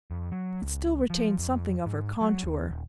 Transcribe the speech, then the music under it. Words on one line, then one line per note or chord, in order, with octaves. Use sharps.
It still retained something of her contour.
F2
F#3
C#2
F3
F2
G#2
F#3
D#2
D#1